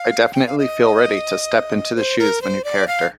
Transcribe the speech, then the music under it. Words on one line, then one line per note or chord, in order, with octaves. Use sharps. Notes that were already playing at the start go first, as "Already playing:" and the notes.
I definitely feel ready to step into the shoes of a new character.
Already playing: F5
G5
F5
D#5
C5
A#4
C5
D5
F5